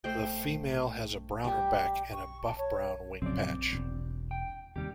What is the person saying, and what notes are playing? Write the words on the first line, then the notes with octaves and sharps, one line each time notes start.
The female has a browner back and a buff-brown wing patch.
A3 C5 D#5 G5
G3 G4
C#6
A5
C#5
A#1 F#2 C#3 C4 D5
E1
G5
D#2 C3 G3 G4